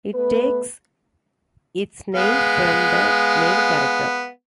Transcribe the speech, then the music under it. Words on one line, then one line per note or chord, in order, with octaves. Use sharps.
It takes its name from the main character.
A3 B3 B4
G#3 B3 F5